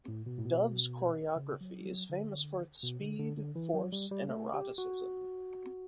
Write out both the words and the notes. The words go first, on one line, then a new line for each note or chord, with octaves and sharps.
Dove's choreography is famous for its speed, force and eroticism.
A2
B2
A2
B2
C#3
F#3
G3
F#3
D3
B2
D3
D3
D3
E3
F#3
G3
G3
A3
G4
F#4